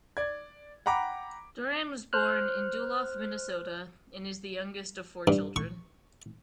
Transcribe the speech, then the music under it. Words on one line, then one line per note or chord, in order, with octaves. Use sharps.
Doran was born in Duluth, Minnesota and is the youngest of four children.
D5 G#6
F#5 G5 A#5 B5 D6
C5 F6 F#6
G2
C#6